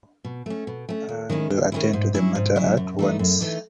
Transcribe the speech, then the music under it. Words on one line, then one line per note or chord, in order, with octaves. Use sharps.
I will attend to the matter at once.
B2
A3 C#4
B2
A3 C#4
D#2
D#3 G#3 C#4 E4
D#2
D#3 G#3 C#4 E4
G#2
F#3 C#4 E4
G#2
F#3 C#4 E4
F#2
E3 A3 D#4
F#2
E3 A3 D#4